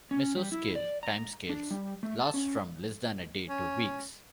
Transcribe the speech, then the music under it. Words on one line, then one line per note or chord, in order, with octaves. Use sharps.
Mesoscale timescales last from less than a day to weeks.
C#4
G3
E4
D5
A#5
D4
G3
A3
A5
C#4
C#4